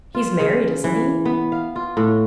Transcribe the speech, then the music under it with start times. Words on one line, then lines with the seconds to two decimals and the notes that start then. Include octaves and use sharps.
'He's married, isn't he?
0.15 F4
0.40 C#3
0.84 E3
1.25 B3
1.52 F5
1.76 F4
1.97 A2